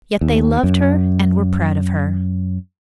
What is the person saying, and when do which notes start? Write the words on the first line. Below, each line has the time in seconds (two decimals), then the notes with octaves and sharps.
Yet they loved her and were proud of her.
0.21 D#2
0.63 F#2